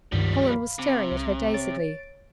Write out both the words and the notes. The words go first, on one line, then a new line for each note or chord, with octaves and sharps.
Colin was staring at her dazedly.
C#2 G2 D#3 F3 G3
F5 B5
C3
C2
C#5 A6 D7